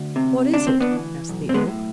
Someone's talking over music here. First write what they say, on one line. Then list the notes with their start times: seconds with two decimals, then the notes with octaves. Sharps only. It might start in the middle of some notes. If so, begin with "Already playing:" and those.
"What is it?" asked the Oak.
Already playing: D2
0.16 C3
0.54 D2 D4
0.67 C4
0.81 B3 D4
0.92 E3
1.29 B1
1.49 C4
1.54 G#3 B3
1.67 A2